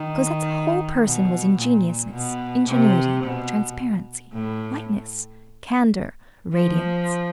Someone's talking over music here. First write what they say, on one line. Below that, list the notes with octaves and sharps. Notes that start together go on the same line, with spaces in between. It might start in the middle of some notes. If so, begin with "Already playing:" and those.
Cosette's whole person was ingenuousness, ingenuity, transparency, whiteness, candor, radiance.
Already playing: D#3
B2
A#2
B2
C3
B2
A2
F3